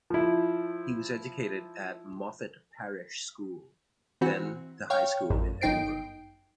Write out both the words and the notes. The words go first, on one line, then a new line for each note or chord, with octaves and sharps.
He was educated at Moffat Parish School then the High School in Edinburgh.
F3 E4
E3 C4 F#4
C#5 F5 G5
A1 F#2
G1 F#2 D#4 G5 C7 D7